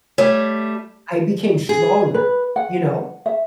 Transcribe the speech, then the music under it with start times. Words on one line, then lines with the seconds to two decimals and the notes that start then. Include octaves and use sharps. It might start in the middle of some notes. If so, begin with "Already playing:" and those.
I became stronger, you know.
0.18 G3 A3 C#5
1.69 G#4
2.14 B4
2.56 F#5
3.26 E5